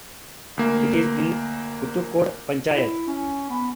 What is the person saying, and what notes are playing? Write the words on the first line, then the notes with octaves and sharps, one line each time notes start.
It is in Puthucode Panchayath.
D2 A#3
E4
C#4
B3